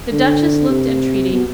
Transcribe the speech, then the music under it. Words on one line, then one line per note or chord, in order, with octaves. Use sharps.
The Duchess looked entreaty.
D3
C3
B2